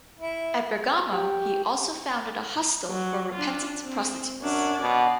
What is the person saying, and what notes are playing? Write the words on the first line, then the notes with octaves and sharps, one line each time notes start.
At Bergamo, he also founded a hostel for repentant prostitutes.
E4
G4
F#3
D4 F4
C4
F#2 C#4 D4
B2 D5